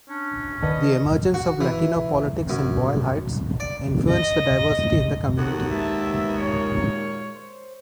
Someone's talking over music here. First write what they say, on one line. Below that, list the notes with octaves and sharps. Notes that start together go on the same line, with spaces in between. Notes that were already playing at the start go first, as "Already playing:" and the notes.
The emergence of Latino politics in Boyle Heights influenced the diversity in the community.
C#4 D4
D#3 B4 D5 D#5 F#5 A5 B5
F#4
E3
F#2
D5
D#5
D#2 F#4 A4 F#5
G#3 B3 E5 A5
F#2 A#2 A#3 C#5
C5